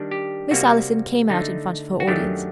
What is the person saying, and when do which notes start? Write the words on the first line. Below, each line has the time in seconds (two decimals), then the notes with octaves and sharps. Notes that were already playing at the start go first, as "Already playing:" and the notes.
Miss Allison came out in front of her audience.
Already playing: D#3 G3 D4
0.11 G4
0.51 C3 G3 A#3 F#4
1.29 D3 A3 D#4
2.00 F#4
2.07 F#2 D#3 F#3 A3 D4 G4